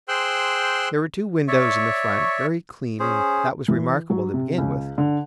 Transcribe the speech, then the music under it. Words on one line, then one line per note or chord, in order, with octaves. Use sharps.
There were two windows in the front, very clean, and that was remarkable to begin with.
G#4 C5 G5 C6 E6 F#6
C#5 D5 E5 C#6
C#4 G#4 C5
E3
F#3
C3
C#2
D3